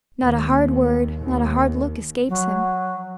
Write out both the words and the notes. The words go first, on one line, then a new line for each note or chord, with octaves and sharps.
Not a hard word, not a hard look, escapes him.
D#2
D#2
F#3